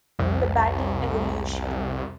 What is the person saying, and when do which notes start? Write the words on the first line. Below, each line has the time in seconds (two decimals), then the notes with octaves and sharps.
The batting evolution.
0.19 C2 F2